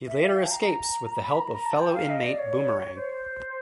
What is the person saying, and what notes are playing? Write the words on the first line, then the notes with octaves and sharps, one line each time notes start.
He later escapes with the help of fellow inmate Boomerang.
E5
F5
G5
A5
A#5
A#5
B5
A#5
A#5
A5
G5
F5
D#5
D5
C#5
C5